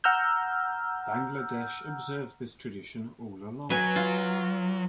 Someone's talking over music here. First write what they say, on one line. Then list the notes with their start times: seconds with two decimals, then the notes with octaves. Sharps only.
Bangladesh observed this tradition all along.
0.04 F#5 A#5 E6 F6 G6
3.70 F#3 B4 G#5
3.96 F4